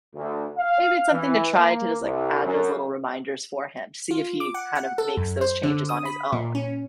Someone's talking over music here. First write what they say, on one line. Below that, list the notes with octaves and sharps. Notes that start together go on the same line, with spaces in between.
maybe it's something to try to just add those little reminders for him to see if he kind of makes those changes on his own.
D2
F5
E3
A#3
C2
F#2
F4
D6
F#5
F#5
A4
F#2
C5
D3
D#6
B5
A#2
C#4